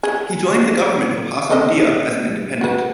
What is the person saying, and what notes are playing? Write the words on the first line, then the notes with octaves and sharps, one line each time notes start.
He joined the government of Hassan Diab as an independent.
G#4
C4 A4 D#5
F#4 B4